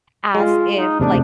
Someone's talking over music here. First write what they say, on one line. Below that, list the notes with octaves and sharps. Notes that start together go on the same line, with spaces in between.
as if, like,
G#3 F4
D#4
E2 C3 A3 D4